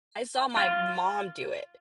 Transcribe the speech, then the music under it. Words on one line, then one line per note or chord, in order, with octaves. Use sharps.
I saw my mom do it.
F4